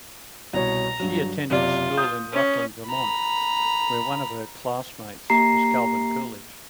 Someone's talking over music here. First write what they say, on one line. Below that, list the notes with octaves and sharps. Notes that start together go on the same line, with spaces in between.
She attended school in Rutland, Vermont where one of her classmates was Calvin Coolidge.
C2 B2 C#5 A#5
G2 F#3
F#1 C3 F4 D5
D#6 G6
C#4
A#5 B5
A#3 G4 A#5 C7